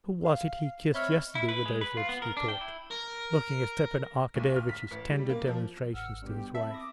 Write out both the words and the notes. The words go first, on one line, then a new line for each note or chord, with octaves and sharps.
"Who was it he kissed yesterday with those lips?" he thought, looking at Stepan Arkadyevitch's tender demonstrations to his wife.
F5
C4 C#5 D#5 E5 B5 F6 G7
E4
B4
G#3
B4
F4
B3
A#4
D4
G5
E4
A#4
B1
F6
B6
A1
G3
A#3
F3
G#1 F#5 E6 F6
G2 B2 B3 G4
C4 A4 E5 A5 B5
D6 D#6 A#6